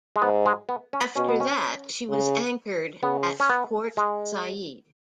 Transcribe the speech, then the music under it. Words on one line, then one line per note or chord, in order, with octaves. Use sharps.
After that, she was anchored at Port Said.
G#3
G#2 B3
G#3
B3
C#4
B2 C#4
B3
C#4
C#3
C#3 B3
C#4
B3
G#3